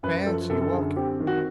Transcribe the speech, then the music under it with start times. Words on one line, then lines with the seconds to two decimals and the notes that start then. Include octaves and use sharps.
Fancy walking!
0.03 F#2 B4
0.26 F3 A4
0.50 F#2 A4
0.61 A4
0.73 D3 G#4
0.96 C4 G4
1.20 D#3
1.27 F#4